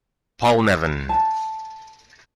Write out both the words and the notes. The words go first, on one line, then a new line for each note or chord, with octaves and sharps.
Paul Nevin.
A5